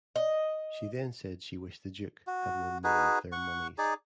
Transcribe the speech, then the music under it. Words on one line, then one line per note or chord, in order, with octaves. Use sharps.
She then said she wished the Duke "had won more of their moneys".
D#5
F#4
D#4 F#4 G#4 B4
F#5 C#6
D#4 G#4 D5